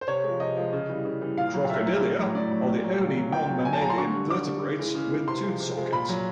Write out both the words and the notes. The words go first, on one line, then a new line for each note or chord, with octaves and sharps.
Crocodilia are the only non-mammalian vertebrates with tooth sockets.
C5
C3 C#5
F3 G#3
C3 D#5
F3 G#3
C#3
E3 G3
C#3
E3 G3
A#2 F5
F#3
A#2 E5
F#3
A2
F#3
A2 D5
F#3
A#2
F#3
A#2
F#3
A#2 G5
F#3
A#2 G#5
A5
F#3 A#5
C6
D3 C#6
G3
D3 D6
G3
C#3
E3 G#3
C#3
E3 G#3
C3 C6
F3 G#3
C3
F3 G#3
A#2 B5
F#3